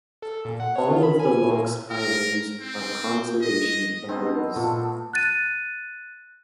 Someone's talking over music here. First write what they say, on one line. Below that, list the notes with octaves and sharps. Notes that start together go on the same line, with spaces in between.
All of the loch's islands are conservation areas.
A4
A#2
F#5
C#5
F4
B5
G#5
A#2
A#4
C4
D#5
B2 B3 C4 D#4
A#2 A3
F#6 A6 D#7